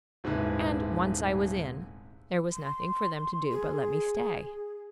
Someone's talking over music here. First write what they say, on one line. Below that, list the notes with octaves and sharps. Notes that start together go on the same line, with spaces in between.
And, once I was in, there was nothing for them to do but let me stay.
D#1 G#2 C3 G#3 E4 B4
C6
G#4